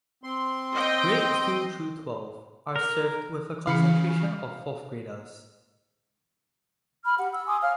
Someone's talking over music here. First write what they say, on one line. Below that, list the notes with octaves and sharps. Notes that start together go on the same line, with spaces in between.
Grades two through twelve are served with a concentration of fourth graders.
C4 C6
D#5 G5
A#4
C#3 E3 F5 B5 C#7
B5 F6
G4 F#5
E6
G#5 C6 D6 D#6
C#5 F5 F6